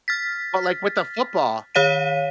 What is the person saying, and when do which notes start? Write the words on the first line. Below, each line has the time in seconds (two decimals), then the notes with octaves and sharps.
But like with the football
0.08 F6 A6 B6
1.75 D#3 C#5 F5 B6 D#7